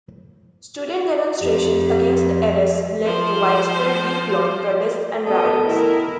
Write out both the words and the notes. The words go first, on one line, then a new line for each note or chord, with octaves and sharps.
Student demonstrations against the arrests led to widespread week-long protests and riots.
F2 G4
F3 C5
B3 A4 D#5
D#3 A3 E4 A#4